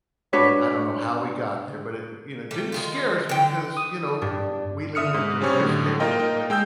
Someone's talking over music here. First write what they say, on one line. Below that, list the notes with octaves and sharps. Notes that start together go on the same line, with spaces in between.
and I don't know how we got there, but i it, you know, didn't scare us because, you know, w we live in a diverse neighborhood, but
D4 F#4 B4 C#5
G3 A3
D#3 G#3 F4
D3 G5
D#6
G2 D4
D3 E5 D#6 F6 C#7
G#2
C#3 G3 C4 C#4
A2 D3 F#3
A#3 D#4 F4 A#4 D#5 G5
G#3 G5 E6 G6